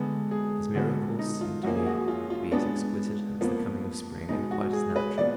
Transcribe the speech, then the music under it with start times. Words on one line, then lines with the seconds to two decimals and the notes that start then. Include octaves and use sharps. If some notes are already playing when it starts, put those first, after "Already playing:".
His miracles seem to me to be as exquisite as the coming of spring, and quite as natural.
Already playing: D3 G#3 B3
0.31 G#4
0.75 D3 G#3 B3 F#4
1.19 D#4
1.41 F4
1.63 F#2 F3 A#3 F#4
1.76 G#4
1.86 F#4
2.08 F4
2.30 F4
2.52 A#2 G#3 B3 D4
3.41 F2 F3 A#3 B3
4.29 B2 G#3 B3 D#4
4.51 F#4
4.73 G#4
4.96 B4
5.18 A#2 F3 B3 D5